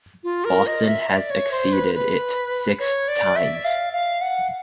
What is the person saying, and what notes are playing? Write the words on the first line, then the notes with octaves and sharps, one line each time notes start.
Boston has exceeded it six times.
F4
A#4
D#5
E5
D5
C#5
C5
B4
B4
C#5
D5
E5
F5
F5
F#5